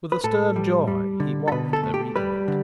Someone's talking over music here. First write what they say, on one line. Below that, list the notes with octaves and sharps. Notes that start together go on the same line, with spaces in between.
With a stern joy he watched her reading it.
B4
A2 A4
G3
G3
D3
A4
B2 B4
A4
A3
G4
G3 B4
D3